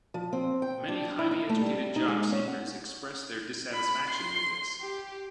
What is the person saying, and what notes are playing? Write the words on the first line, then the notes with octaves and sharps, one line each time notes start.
Many highly educated job seekers express their dissatisfaction with this.
F3
C4
G5
D4
E4
D#4
A3
G3
D#4
G#3
C#4
F#5
B5
C6
G4